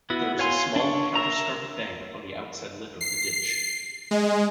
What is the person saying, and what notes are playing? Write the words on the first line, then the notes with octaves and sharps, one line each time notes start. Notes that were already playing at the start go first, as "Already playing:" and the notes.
There is a small counterscarp bank on the outside lip of the ditch.
B3 E4 F#4
C#5 F5 G#5 C6
D4 C#5
A#4 E5 A#5
C7
G#3